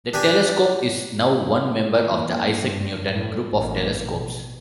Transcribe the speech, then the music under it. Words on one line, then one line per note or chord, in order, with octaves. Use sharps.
The telescope is now one member of the Isaac Newton Group of Telescopes.
D4 G4 G#5
E3 A#3
G2
A2
A1 A#3
B2